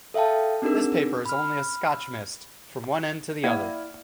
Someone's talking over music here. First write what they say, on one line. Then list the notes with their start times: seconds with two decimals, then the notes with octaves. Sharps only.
This paper is only a Scotch mist from one end to the other.
0.14 A4 E5 F5 G5 A5
0.62 C4 D4 D#4 F#4 G#4 A#4
1.25 B5 F6
3.44 A#3 E4 D5 F5